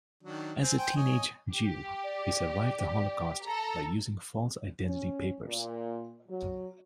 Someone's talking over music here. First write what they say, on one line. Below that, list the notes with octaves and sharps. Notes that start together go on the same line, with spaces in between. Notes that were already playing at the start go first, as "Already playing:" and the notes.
As a teenage Jew, he survived the Holocaust by using false identity papers.
D#3 F#3 D4
C4 G#5
C5 G5 G#5
C#5 D#5 G#5
G4
D5
A4 A#5
C#4
A#2
F#3